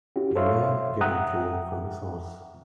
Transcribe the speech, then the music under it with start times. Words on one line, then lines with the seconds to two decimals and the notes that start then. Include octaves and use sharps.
A man getting thrown from his horse.
0.16 C#4 E4 F#4 G4
0.36 A4 C5 C#5 E5 F5 C6
1.01 E5 F#5 G5 A#5 D#6 F#6